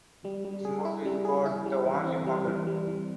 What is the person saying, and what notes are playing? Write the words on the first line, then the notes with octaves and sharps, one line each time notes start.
Its motto is "God, The Only Founder".
G3
G3
G#4
E4
G3
G#4
E4
G3
E3
C4
G3
E3
G3
E3